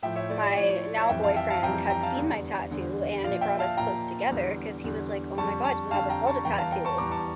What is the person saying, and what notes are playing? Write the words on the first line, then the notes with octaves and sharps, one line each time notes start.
my now-boyfriend had seen my tattoo and it brought us close together 'cause he was like, "Oh my god, you have a Zelda tattoo."
A2 F3 E5 G5
C#5 E5
D5
D5
A2 F3 C#5
C#5
D5
C#5 E5
F2 E3 G3 E5 G5
F5 A5
E5 G5
F5 A5
F2 E3 G3 G5 A#5
G5 A#5
F5 A5
E2 D3 G3
E2 D3 G3
A#2 F3 D5 F5
E5 G5
F5 A5
A#2 F3 G5 A#5
E2 D3 G3
E2 D3 G3
F2 D3 G3 A5 C#6
A5 C#6
F2 D3 G3 F5 A5
G5 A#5
A5 C#6
E2 E3 G3 G5 A#5
F5 A5
G5 A#5
A5 C#6
E2 E3 G3 A#5 D6
A5 C#6